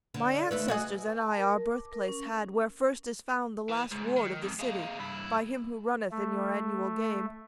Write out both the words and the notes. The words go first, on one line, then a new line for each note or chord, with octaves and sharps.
My ancestors and I our birthplace had Where first is found the last ward of the city By him who runneth in your annual game.
D3
D#2 A3 B4
F#4 G#4 D#5
A5
A#4
D6
A#4
C#4
E3
C#2 G#2
D#3
F2 G#2
G#3 A#3
G2 E4
A3